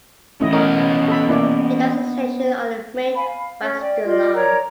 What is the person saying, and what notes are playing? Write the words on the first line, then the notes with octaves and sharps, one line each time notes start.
It has a station on the Main Western line.
E3 A3 C#4 E4 D#5
B3 A#4 C#5 D#5
A4 B5
A#3 E4 D5
F5 G#5 B5
F5
C#4
D5 G5
F4 D5 D#5
A#4 C#5 D5 A#5